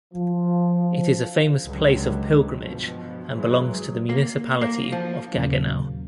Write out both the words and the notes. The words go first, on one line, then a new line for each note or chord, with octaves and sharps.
It is a famous place of pilgrimage and belongs to the municipality of Gaggenau.
F3
C#2 D3 F#3 G3
G2 B2 F3
E3 F#3 G#3
A#3
A#3
F3
D#2 A#2 C#3 F#3 A#3